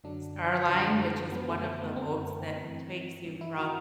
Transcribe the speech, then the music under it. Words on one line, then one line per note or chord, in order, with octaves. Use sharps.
Star Line, which is one of the boats that takes you from
F#2 D3 F#3 D4
F#2 D3 F#3
F#2 D3 F#3 B3
A3
A3
B3
F#2 D3 F#3 C4
G2 E3
G2 E3
E4
F#4